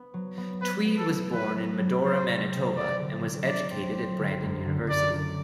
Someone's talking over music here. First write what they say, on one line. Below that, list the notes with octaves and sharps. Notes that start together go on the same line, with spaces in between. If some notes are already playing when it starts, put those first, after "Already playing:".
Tweed was born in Medora, Manitoba, and was educated at Brandon University.
Already playing: B3
F#3
B3
B3 B4
B3
A4
B3
F#3 B4
B3
F#3
F#3 C5
C3
C3
F#3 D5
D3
F#3
F#3 D5
C4
C4
D3
F#2
D3
F#2 D5
D3